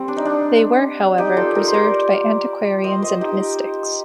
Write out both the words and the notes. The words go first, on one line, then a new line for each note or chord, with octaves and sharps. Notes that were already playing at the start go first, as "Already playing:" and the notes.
They were, however, preserved by antiquarians and mystics.
Already playing: G3 C4
D4
D#4
D4
D#4 G4
F4 A4
G4 A#4
C5
A#4 D5
C5 D#5
C5 D#5
D#4 G4